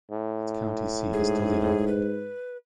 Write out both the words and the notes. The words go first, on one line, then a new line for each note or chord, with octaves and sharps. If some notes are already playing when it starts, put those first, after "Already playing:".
Its county seat is Toledo.
A2
G#2 G#4
B4